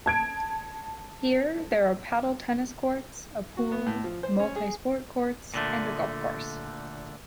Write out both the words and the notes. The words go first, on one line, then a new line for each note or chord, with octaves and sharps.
Here, there are paddle tennis courts, a pool, multi-sport courts, and a golf course.
A5 G#6 D7
F#4
B3
A2
F3
C5
C#4
G#4
A#2 D3 A3